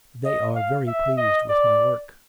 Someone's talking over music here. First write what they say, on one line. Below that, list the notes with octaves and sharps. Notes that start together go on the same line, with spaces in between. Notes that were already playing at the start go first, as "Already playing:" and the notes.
They are very pleased with my work....
D#5
F5
E5
D#5
D5